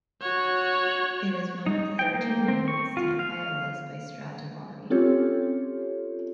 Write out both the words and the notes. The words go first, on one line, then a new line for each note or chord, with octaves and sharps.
It is one of thirteen known extant violas by Stradivari.
F#4 C#5
D#4
G5
A#3
C4
C#6
F4
F5
C4 C#4 F4 G4 A4 C#5